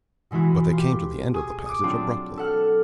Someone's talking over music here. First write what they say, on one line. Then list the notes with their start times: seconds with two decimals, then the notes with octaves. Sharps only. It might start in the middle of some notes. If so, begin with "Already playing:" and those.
But they came to the end of the passage abruptly.
0.31 B2 E3 G#3 E4 F#4
0.73 F4 G4
1.34 G#4 C#6 D#6
1.66 D6 D#6
1.83 F#3 C4 D4 F4
2.37 A4 F#5 F6